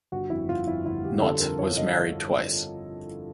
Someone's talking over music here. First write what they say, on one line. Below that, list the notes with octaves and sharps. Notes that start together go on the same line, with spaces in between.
Nott was married twice.
G1 F#4
F2 E4
G1 F4
F2 E4
G1 E4
G1 G4
D3 A4
F2 A#4
D3 C#5
D3 D#5